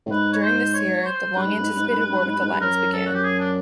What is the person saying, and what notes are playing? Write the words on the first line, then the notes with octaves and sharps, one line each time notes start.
During this year, the long anticipated war with the Latins began.
A2
G#2 B4
C#5
C5
C#5
C5
G2 B4
G#2
G2
G#2
G2
G#2
G2
G#2
G2
G#2
G2
G#2
G2
G#2
G2
F#2 A#4
A4
F#4
G4
G#4
D4